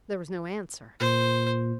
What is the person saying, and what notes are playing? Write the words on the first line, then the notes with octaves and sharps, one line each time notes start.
There was no answer.
A#2 C5